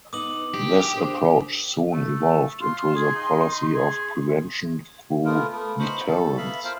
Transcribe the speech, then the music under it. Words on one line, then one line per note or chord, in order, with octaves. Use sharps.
This approach soon evolved into the policy of Prevention through Deterrence.
B3 D#4 D6 D#6 F#7
D4 G4
D4 A#4 C5
A3
F4 C6
G#4
D#4
G#4
A3 B3 F4 A#4
A3 B3
D#4 C5 B5 C#6
A4
B3 E5 F5 B5
F4 A#4 C5 F5